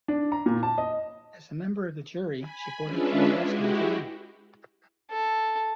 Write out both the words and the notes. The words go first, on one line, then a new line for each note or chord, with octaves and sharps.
As a member of the jury, she voted for Westman to win.
D4
A#5
A#2
A5
D#5
G#5 B5
G#3 C#4 D4 F4 B4 E5
G#3 E4 F#4 G4
A4